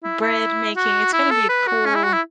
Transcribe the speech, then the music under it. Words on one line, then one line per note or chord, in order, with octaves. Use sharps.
bread making, it's gonna be a cool,
E4
E4
F#4
E4
A4
B4
F#4
C#4
E4
F#4
E4